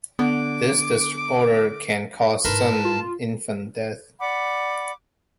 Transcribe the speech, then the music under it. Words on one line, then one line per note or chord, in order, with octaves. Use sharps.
This disorder can cause sudden infant death.
D3 B3 D6
G#2 E4 A#4 B4 A5 C6
F4
D5 F#5 B5 D6